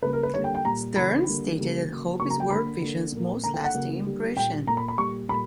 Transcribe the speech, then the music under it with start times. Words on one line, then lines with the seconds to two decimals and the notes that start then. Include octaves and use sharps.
Stearns stated that "hope" is World Vision's most lasting impression.
0.02 C#3 G3 A#3 B4
0.13 A#4
0.23 B4
0.34 D3 G3 A#3 C#5
0.44 G5
0.55 G5
0.65 A#2 G3 A#3 A#5
0.96 C#3 E3 A#3 B5
1.27 D3 G3 A#3
1.58 C#3 G3 A#3
1.88 C#3 F#3 A#3
2.20 C#3 F#3 A#3 C#6
2.30 A#5
2.40 G5
2.50 D3 A#3 B5
2.82 D3 A#3
3.12 A#2 A#3
3.44 D3 A#3 A#5
3.54 G5
3.64 F#5
3.74 C#3 F#3 A#3
4.05 D3 G3 A#3
4.36 A#2 G3 A#3 G5
4.67 A#2 A#3 A#5
4.77 B5
4.88 B5
4.98 A#2 G3 A#3 C#6
5.29 A#2 G3 A#3 B5